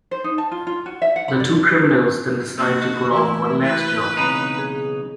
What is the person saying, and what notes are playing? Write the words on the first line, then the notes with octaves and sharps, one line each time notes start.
The two criminals then decide to pull off one last job.
C5
D#4
A5
F4
F4
F#4
E5
F#5
B5
D5
A#3 F#4 D#5
E3 A3 E4
E4 B4
B1 C#3 C4 D#4 G#5 B5
G#4